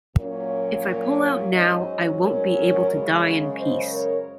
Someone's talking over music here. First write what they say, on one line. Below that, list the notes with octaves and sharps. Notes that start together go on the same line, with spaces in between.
If I pull out now, I won't be able to die in peace.
A#2 F#3 A#3 C#4
G#2 F#3 C#4 C5 D#5
A#4 C#5
F#2 C#3 G#3 C#4
C5 D#5
A#4 C#5